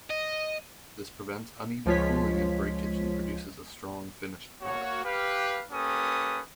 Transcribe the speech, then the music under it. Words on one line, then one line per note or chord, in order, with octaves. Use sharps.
This prevents uneven cooling and breakage and produces a strong finished product.
D#5
C#2 F3 G#3 F4 C#5 B6
A#3 F#4 C#5
G4 B4 F5
A#3 C#4 G4 A4 B4 D#6